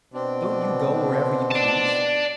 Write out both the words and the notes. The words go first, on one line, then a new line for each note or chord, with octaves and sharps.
"Don't you go wherever you please?"
B2 C4 D4
D5 A5